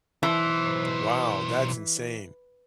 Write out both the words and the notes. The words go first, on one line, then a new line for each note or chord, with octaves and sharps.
Wow, that's insane.
B1 E3 C5